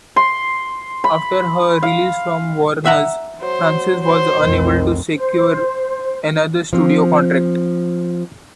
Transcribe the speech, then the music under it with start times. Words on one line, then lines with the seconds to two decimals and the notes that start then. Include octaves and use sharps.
After her release from Warners, Francis was unable to secure another studio contract.
0.16 C6
1.04 B5
1.83 F5
2.85 E5 F#5 A#5
3.42 F#3 C5
4.03 C5
4.39 F1 B1 D#3 C4
5.15 C5
6.73 F3 C4